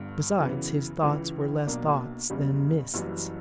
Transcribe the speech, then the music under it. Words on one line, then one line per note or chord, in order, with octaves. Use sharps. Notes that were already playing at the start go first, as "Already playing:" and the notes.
Besides, his thoughts were less thoughts than mists.
Already playing: G1 G2 D3
F#2 C#3 E3 B3
C#2 C#3 E3
B1 B2 A#3 D4
F#1 E2 C#3 G3
F#1 F#2 E3 G3